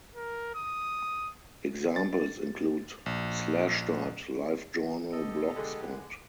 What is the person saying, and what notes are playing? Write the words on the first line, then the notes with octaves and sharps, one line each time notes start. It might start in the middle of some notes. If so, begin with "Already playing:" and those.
Examples include Slashdot, LiveJournal, BlogSpot.
A#4
D#6
A6
A#1
B2 B3 G4 A4 D#5
D3 G#3